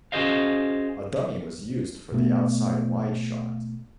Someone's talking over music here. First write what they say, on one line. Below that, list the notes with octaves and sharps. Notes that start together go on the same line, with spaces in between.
A dummy was used for the outside wide shot.
C#4 F#4 G#4 C5 D#5 F5
B2 A3 B3